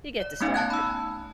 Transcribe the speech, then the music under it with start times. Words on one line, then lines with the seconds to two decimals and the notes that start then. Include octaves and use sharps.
You get distracted.
0.20 D5
0.40 A3 B3 C#4 D#4 F5 G#5
0.54 G#5 A5 F#6 G#6
0.70 B5 E6